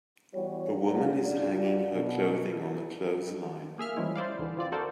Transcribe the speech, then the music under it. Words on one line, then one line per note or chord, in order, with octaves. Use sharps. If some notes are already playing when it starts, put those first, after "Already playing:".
A woman is hanging her clothing on a clothesline.
E3 G3 B3 F#4 C#5
F2 A#2 F#3 G#3 F5 F#5
D4 F4 F#4 G#4 D5
B2
A#3 G#4 E5 F6
E3 F3 G3 G#3 C#4 E4
E4 C5 D5 F5
D2 D3 E3
C4 F4 D5
F#4 A4 A#4 C5 D5